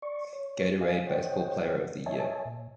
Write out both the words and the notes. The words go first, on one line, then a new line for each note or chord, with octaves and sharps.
Gatorade Baseball Player of the Year.
D5 C#6
C#5
D#5 F5 G#5
C5 C#5 D#5 F#5 G5
C#5 D#5 E5 G#5 A5
A#2